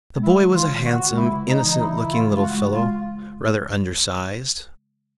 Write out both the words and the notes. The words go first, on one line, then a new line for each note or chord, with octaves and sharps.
The boy was a handsome, innocent-looking little fellow, rather undersized.
G#3
E4
D#3
F4
D#3
C#3 F#4
G#3
E4
C#3
D#4
E3
D#4
E3 E4
C#3 E4
F4
G#3
F4
F#4
G#3
G#3 F4